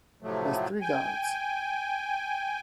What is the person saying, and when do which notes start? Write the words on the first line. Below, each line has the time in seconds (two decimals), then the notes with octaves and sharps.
Best regards.
0.22 A2 C3 F3 F#3 A3
0.81 G5 G#5